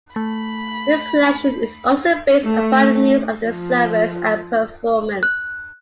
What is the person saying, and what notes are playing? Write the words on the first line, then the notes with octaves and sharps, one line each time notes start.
This selection is also based upon the needs of the service and performance.
A3 B5
A3
F3
F#6